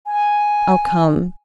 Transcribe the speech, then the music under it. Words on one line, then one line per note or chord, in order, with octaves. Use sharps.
"I'll come."
G#5